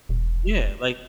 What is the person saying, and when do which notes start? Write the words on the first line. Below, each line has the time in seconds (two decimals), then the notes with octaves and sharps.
Yeah, like
0.09 E1